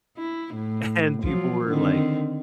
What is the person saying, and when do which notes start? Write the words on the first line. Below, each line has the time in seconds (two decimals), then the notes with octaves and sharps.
and people were like
0.17 E4
0.55 A2
1.22 F3 F#3
1.67 D3 D#3 C4